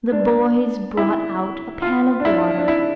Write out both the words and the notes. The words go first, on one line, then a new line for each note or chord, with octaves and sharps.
The boys brought out a pan of water.
D4
E4
F4
D4
E4
D4
E4